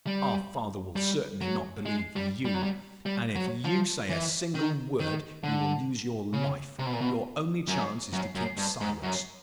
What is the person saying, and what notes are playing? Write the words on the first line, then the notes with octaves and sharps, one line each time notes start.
Our father will certainly not believe you, and if you say a single word you will lose your life; your only chance is to keep silence.'
G3
G3
F#3
G#3
G3
G3
F#3
G3
G3
F#3
F3
E3
D#3
D#3
D3
C#3
C3
B2
A#2
B2
F#2
F#2
F#2
G2
G#2
F#2